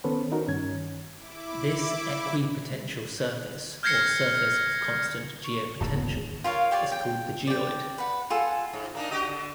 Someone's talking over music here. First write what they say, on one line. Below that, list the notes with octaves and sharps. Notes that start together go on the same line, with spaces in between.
This equipotential surface, or surface of constant geopotential, is called the geoid.
D#3 B3 C#4 A4 B4 C5
D#4 F#4 A#4
G2 D#3 C#4 G#6
E4 D6
F6 G6 G#6 A#6 C7 C#7
C#6
D1 G#1 D#2 A5
B3
G#2
F4 A#4 C#5 F5
F4 G4 C#5 D5
G5
D5 G5
B4 F#5
F4 G#4 A4 F#5
G#2
A#3 D4 D#4
F#4 G4 D#5
D3